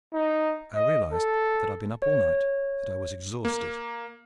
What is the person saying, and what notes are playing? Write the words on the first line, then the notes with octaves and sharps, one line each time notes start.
I realized that I'd been up all night, that I was exhausted.
D#4
D#5
A4
C#5
A#3